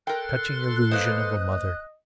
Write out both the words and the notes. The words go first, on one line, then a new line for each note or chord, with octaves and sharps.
Touching illusion of a mother!
A4 A#4 G5 C6 F#6
A#3 B4 C5 D#5